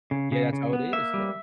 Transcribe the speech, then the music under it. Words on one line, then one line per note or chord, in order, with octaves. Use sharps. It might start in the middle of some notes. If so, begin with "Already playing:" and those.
Yeah, that's how it is. Yeah.
C#3
C#3
C#3
B3
A#3 E5
G3